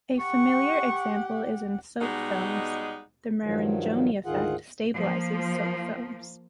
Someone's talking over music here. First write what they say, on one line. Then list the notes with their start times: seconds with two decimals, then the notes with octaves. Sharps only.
A familiar example is in soap films: the Marangoni effect "stabilizes" soap films.
0.19 G4 F#5 C#6
2.01 B2 G3 G#3 D#4 F#5
3.43 G2 D#3 F3 F#3
4.26 D2 G#2 D#3 F4 G#4 F#5
4.97 F3 A#3